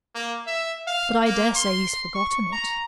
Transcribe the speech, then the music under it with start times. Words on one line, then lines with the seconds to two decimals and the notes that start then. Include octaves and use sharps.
"But I dare say he's forgotten it."
0.15 A#3
0.47 E5
0.87 F5
1.25 A#3
1.55 C6
2.14 C#6
2.52 A#5